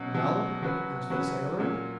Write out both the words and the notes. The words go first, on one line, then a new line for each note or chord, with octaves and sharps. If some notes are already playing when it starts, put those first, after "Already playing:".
"Well?" asked the sailor.
Already playing: B2 F#3 C#4
B2 F#3 C#4
F#3 C#4 F#4 B4
F#3 C#4 F#4 B4
A#2 F#3 C#4